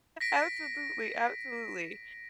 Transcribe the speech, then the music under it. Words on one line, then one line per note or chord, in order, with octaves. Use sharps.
Absolutely. Absolutely.
A#6 B6 D7